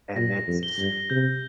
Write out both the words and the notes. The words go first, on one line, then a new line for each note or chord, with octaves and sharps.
and it's
A#2 A#6
F2
G7
G2
C3 G6